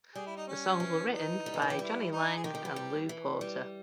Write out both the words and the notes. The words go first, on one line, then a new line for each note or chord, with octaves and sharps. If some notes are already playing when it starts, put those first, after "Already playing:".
The songs were written by Johnny Lange and Lew Porter.
G3 G#4
E4
D#4
C#4
E3
D#4
G3
E3 G#4
D#3
E3 G4
G3 E4
D#4
G#4
D#3 G4
D#3
E3
G3
E3
G3